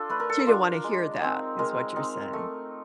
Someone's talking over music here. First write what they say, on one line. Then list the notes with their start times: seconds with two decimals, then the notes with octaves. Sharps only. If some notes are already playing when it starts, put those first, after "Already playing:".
She didn't wanna hear that, is what you're saying.
Already playing: D4 F4 A4
0.10 A3 B4
0.20 A#4
0.29 A4
0.39 A#4
0.47 D4 F4
0.84 G#3
1.21 C4 D#4
1.59 G#3 A#4
1.96 C4 D#4
2.33 A3